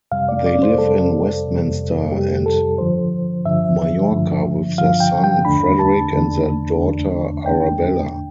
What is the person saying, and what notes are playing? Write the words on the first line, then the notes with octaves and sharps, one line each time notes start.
They live in Westminster and Mallorca with their son, Frederick and their daughter, Arabella.
F2 C3 G3 F5
D5
D5
C5
F2 C3 G3 A4
F2 C3 G3
F2 C3 G3 G4
A4
G2 D3 F3 C5
G2 D3 F3 E5
G2 D3 F3
G2 D3 F3 F5
G5
G5
E2 D3 A3 D4 B5
A5
E2 D3 A3 D4
E2 D3 A3 D4
E2 D3 A3 D4 G5